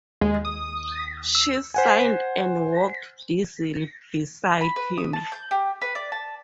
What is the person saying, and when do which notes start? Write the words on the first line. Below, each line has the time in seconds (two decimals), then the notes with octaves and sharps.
She sighed and walked dizzily beside him.
0.21 D#2 G#3
0.45 D#6
1.35 E6
1.74 C5 F#5 G#5
4.61 B5
4.76 B4
4.97 D#6
5.13 A5
5.32 G6
5.51 G4
5.81 B4
5.95 D5
6.12 A5